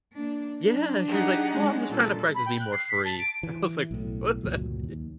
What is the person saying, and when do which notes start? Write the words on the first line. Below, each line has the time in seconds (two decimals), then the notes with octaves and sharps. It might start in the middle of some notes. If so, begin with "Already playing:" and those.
Yeah, and she was like, "Well, I'm just trying to practice being more free." I was like, "What's that mean?"
0.13 A#3 D4
0.59 F#3 D4
1.08 D#4 G4 G#4 F#5
1.53 G#3 C#4
1.89 A#2 G3 A4
2.34 B5
2.46 G5
2.60 F#6
2.72 C7
2.89 B6
3.05 A5
3.19 D7
3.43 E3
3.91 B1 A2
4.43 G1 C#2 A#2 F#3
4.84 D#2